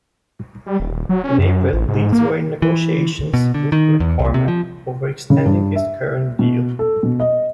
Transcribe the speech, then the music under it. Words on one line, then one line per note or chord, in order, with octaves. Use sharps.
In April, Leeds were in negotiations with McCormack over extending his current deal.
G3
D#1
F#3
C#4
F#2
A1
G#2
A#3
E3
B2
D3
D#3
E2
C2
C3
F3
C#3
G2
E5
B2
A4
B2
D#5